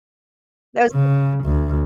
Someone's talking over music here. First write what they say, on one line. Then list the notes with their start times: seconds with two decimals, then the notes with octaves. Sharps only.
That the
0.92 C#3
1.44 D2